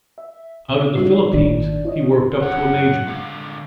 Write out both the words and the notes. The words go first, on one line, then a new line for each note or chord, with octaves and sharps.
Out in the Philippines he worked up to a Major.
E5
B2
G3 D#4 F#4 C#5 C7
G#1 D#3 D4 D5
E4 C#5 D#5
F#2 C#5 F#5
D3 G#3 F5